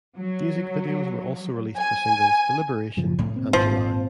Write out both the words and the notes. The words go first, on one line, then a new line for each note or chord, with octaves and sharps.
Music videos were also released for singles "Delibration" and "July".
F#3
G#5
F#2 C#3 F3
A2 C#3 A3
A#2 C4
G#1 F3